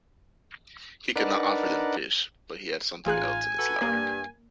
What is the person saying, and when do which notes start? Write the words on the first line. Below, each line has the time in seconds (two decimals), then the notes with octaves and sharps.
He could not offer them fish, but he had something else in his larder.
1.16 D4 D#4 A#4 B4 D5 F#5
3.06 A1 D#4 F4 G#4 G#5 F#6
3.58 F#4 A4 B4
3.82 G2 A#3 A#4